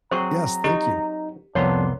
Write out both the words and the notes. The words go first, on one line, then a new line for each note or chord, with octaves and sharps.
Yes, thank you.
F#3 C4 G#4 C5 A#5 C#6
D#4 G4
C2 F2 B3 D4 C#5 A#5 C6